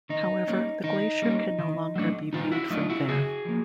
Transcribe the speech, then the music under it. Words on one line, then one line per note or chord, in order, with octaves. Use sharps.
However, the glacier can no longer be viewed from there.
D#3 D#4
G3 A#3 C#4
D#3 D#4
G3 A#3 C#4
D#3
F#3 A3 D4
D#3 D#4 F4
E4 F#4
F#3 A3 D4 D#4 F4
E4 F#4
C#3 F#4 G#4
F3 A#3